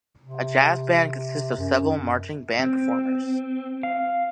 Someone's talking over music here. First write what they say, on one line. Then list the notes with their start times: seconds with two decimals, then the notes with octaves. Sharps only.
A jazz band consists of several marching band performers.
0.22 C3
1.58 F#2
2.59 C4
3.83 F5